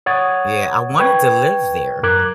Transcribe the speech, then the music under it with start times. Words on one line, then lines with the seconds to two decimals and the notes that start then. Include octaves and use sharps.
Yeah, I wanted to live there,
0.06 C#5 F#5 C#6 D#6 G#6 A6
0.99 B4 G5 C#6 G#6
2.03 F#2 A#4 D6 F#6 G#6